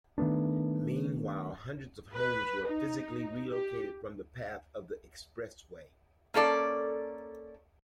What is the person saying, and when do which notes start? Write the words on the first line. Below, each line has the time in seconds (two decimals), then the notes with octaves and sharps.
Meanwhile, hundreds of homes were physically relocated from the path of the expressway.
0.18 D#3 A3 B3 D4
2.14 B4
2.67 D#4
3.51 G4
6.34 A#3 C#4 A4 D5